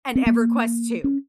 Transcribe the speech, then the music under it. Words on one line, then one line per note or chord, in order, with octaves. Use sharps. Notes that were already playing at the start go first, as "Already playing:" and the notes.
And EverQuest II.
C4
A#3
C#4